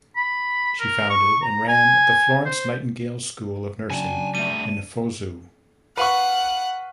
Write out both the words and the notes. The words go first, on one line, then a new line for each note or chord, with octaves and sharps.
She founded and ran the Florence Nightingale School of Nursing in Fuzhou.
B5
A#4
C#6
A#5
G#5
C5
C#3 F#3 D4 G#5 A5
G3 A3 D#7
B4 F5 F#5 C#6